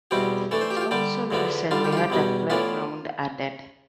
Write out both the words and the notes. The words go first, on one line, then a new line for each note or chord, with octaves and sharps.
It also recently had a playground added.
E2 B2 G3 C4 G4
E3 A3 D4 A4
C5
G4
F4
G4
D3 G3 D4 G4
E2 D3 F3 B3 D4
D3 G3 D4 F4
G4
F4
G4
E2 B2 G3 B3
A2 E3 B3 D4 F4